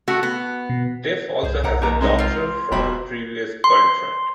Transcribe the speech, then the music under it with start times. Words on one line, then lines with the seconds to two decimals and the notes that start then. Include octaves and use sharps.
Dif also has a daughter from a previous girlfriend.
0.08 A3 F#4
0.23 B3
0.70 B2
1.43 C2 G#4 C5
1.64 B1 A#4 F#5 A#5
1.82 D#2 A#4 A#5
2.01 C3 G#3 D#4
2.19 C4 F4
2.72 E1 B2 F#3 G4 B5
3.64 C6